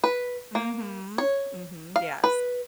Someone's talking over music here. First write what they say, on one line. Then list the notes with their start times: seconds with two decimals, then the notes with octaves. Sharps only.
Mhm. Mhm. Yes.
0.04 B4
0.55 A#3
1.18 C#5
1.96 F5
2.24 B4